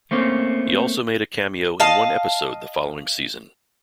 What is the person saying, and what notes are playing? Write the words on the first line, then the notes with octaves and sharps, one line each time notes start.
He also made a cameo in one episode the following season.
A3 A#3 C4 C#4
D#5 F5 A5